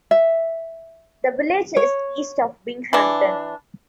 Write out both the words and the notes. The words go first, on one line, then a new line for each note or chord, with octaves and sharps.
The village is east of Binghamton.
E5
C#5
E3 D4